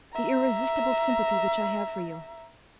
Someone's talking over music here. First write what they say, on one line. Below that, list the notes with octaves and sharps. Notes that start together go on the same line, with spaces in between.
"The irresistible sympathy which I have for you."
E5 A#5